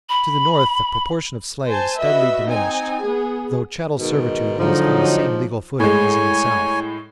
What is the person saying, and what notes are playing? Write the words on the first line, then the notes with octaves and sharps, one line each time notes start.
To the North, the proportion of slaves steadily diminished although chattel servitude was on the same legal footing as in the South.
B5
C5 G#5 A5
F#4 B4 D#5 E5
C4 D#4 G#5
B3 G#4
G#2 B2 D#3
G#2 D3 F3 F#3 D#4
A2 G#3 C#5 G#5